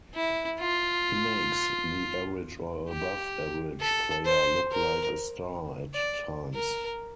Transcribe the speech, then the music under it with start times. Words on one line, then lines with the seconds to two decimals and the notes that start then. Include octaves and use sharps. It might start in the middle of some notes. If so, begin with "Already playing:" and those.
He makes the average or above average player look like a star at times.
0.15 E4
0.60 F4
2.89 G4
3.81 A4
4.26 C5
4.72 A#4
5.94 D5
6.55 A#4